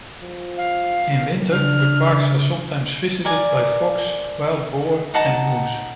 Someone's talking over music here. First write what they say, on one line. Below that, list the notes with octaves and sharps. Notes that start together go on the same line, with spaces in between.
In winter, the parks are sometimes visited by fox, wild boar and moose.
F3
F5
D#2
C#3 D4 F6
A#4 D5 G#5
D#4 F#5 A5 A#5